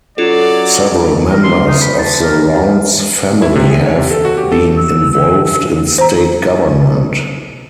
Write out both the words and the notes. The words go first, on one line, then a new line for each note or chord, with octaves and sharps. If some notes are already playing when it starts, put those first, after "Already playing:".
Several members of the Rounds family have been involved in state government.
F#3 C#4 F4 A4 D5
A#4
C6
D#4
B5
A5
A#4
E4
C3
G#4
C#5
C3
A4
F#4
G4
A4
E6
C5 A#5